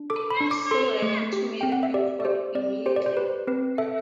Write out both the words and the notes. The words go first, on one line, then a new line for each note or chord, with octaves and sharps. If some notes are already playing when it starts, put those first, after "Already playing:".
So, I went to Mary Pickford immediately.
Already playing: D4
A4 D6
B5
D4
D6
A4 C6
A3
G4
C4 G5
F#5
E5
G4 D5
D5
G4 C5
C4 D5
G4 C5
D5
C5
G4 B4
C4 B4
A4 E5